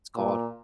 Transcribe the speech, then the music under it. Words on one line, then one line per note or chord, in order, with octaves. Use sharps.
It's called,
A#2